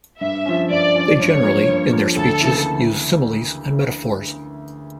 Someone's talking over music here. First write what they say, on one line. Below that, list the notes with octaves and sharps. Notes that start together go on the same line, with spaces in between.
They generally in their Speeches use Similies and Metaphors.
G2 E5
F3 C#4
G2 D5
F3 C#4
G2 C#5
F3 A#3
G2
F3 A#3
D2 A4
C#3 E3 A#3 E4